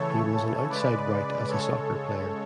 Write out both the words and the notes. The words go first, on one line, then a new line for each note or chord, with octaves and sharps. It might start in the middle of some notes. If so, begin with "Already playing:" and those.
He was an outside right as a soccer player.
Already playing: C#3 E3 A3 A4 C#5
C#3 G#3 B4 D5
C#3 G#3 A4 C#5